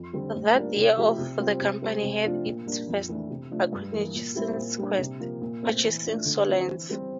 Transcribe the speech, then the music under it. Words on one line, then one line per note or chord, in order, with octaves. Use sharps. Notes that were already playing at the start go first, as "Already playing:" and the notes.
That year the company had its first acquisition since Quest, purchasing Soliance.
Already playing: F2
D3 G3 C4
A2
G3 A#3 D4 F4
C3
F3 A3 E4 G4
C3
G3 C4 F4
C3
G3 C4
C3
F3 A3 D4 F4
A#2
G3 A#3 D4
F2
E3 A3 D4
C3
F3 A3 D4
G2
E3 A#3
A#2
G3 C4 E4 G4
A#2
G3 D4
C3
F3 A#3 F4
A#2
A3 C4
E3
A3 D4 F4
D3
F3 C4
E3
G3 C4 G4